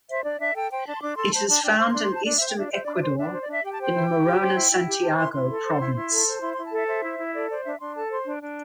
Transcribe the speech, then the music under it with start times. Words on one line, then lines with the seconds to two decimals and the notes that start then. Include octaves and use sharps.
It is found in eastern Ecuador in Morona Santiago province.
0.09 C5 E5
0.24 D4 D5
0.39 D4 E5
0.55 A4 G5
0.71 C5 G5
0.86 D4 A5
0.95 C6
1.01 D4 D6
1.17 A4 C6
1.32 C5 A5
1.48 D4 A5
1.63 D4 G5
1.78 C5 C6
1.90 C6
1.93 D4
2.02 C6
2.09 C5 A5
2.25 D4 D5
2.36 C5 E5
2.48 G5
2.56 D4 E5
2.67 D5
2.71 C5 E5
2.83 D4 D5
2.95 E5
3.02 C5
3.17 D4 E5
3.29 D5
3.33 C5
3.40 D5
3.48 D4 E5
3.63 G4 G5
3.72 A5
3.79 C5 G5
3.94 E4
4.10 E4
4.26 G4
4.41 C5
4.56 E4
4.72 E4
4.87 G4
5.02 C5 A5
5.18 E4 C6
5.33 E4 C6
5.49 A4
5.64 C5
5.80 E4
5.95 E4
6.11 A4
6.26 C5
6.33 A5
6.41 E4 C6
6.53 E4 C6
6.65 A5
6.72 A4 E5
6.87 C5 E5
7.03 E4
7.19 E4
7.34 A4 D5
7.49 C5 D5
7.65 D4 E5
7.80 D4 C6
7.95 A4 A5
8.11 C5 C6
8.27 D4
8.42 D4